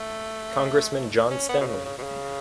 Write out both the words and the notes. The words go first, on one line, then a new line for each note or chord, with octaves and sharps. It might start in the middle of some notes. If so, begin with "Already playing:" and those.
Congressman John Stanly.
Already playing: A3
C#4
B3
B2
C#3
C#3
B2
C#3